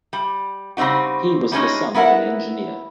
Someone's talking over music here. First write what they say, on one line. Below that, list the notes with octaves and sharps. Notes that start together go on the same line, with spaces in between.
He was the son of an engineer.
G3
C#3 G3 C4 D#4 F#4
G3 G#3 C#4 D#4
B3 E4 A#4 F#5